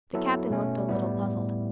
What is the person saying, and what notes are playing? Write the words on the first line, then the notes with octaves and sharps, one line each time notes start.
The Captain looked a little puzzled.
F#3 B3 E4 A4
B2 A3 C#4
A2 G3 B3 E4